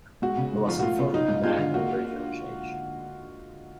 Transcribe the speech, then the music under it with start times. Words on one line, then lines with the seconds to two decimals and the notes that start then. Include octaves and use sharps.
He was infirm and died at a very young age.
0.22 G#3 F#4
0.37 C#3
0.53 G#2
0.67 F3 F4
0.79 F#4
0.83 A3 F4
0.99 C#3
1.13 F#3 D#4
1.29 G#2
1.44 G#3 F4
1.59 D3
1.74 A#3 F#4